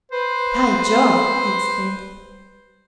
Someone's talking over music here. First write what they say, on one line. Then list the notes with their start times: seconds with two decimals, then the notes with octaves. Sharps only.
"By Jove!" he exclaimed.
0.12 B4 C5